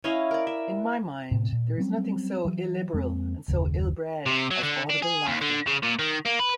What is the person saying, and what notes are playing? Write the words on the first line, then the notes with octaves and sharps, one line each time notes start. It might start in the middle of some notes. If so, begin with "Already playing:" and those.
In my mind, there is nothing so illiberal, and so ill-bred, as audible laughter.
C#4 E4 D#5 F5
A#4 D5
E5
A2 C3
A#2
F#3 G3 C4 C#4
E3 F#3
F2 G#3 A#3 C4
F#1 D#2 C#3
C3
F#3
D3
D4
G#4
D#2
D3
C#3
A#2
D#3
A#3
B4